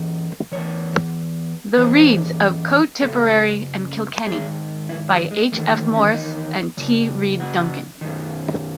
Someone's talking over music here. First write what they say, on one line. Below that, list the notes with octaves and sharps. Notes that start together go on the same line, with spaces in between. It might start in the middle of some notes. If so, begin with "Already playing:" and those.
"The Reades of Co Tipperary and Kilkenny" By H F Morris and T Reade-Duncan.
Already playing: F#2 E3
E2 D#3 C#5
F#2 E3 C5
F#2 C#3 A4
G#2 D#3 G#4
E4
F#3
G#3
E2 D#3 A3
A3
C#4
D#4
F#2 C#3
F#4
F#2 D#3